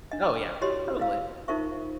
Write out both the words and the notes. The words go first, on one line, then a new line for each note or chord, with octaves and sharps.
Oh, yeah. Totally.
D4 D#5
E4 F#4 G4 C#5 D#5 C6
E4 D#5 F5 E6
D#4 F4 A#4 C5 E5 C#6